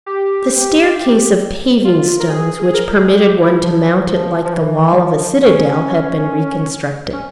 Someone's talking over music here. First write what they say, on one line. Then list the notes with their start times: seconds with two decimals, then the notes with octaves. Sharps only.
The staircase of paving-stones which permitted one to mount it like the wall of a citadel had been reconstructed.
0.06 G4
1.85 F4
2.20 A#4
2.30 G#4
2.63 G#4
2.74 A#4
2.97 G#4
3.19 G4
3.41 E4
3.63 F3
4.09 F3
4.45 F3
4.53 E3
4.92 G3
4.98 F3
5.43 C#4
7.13 C#4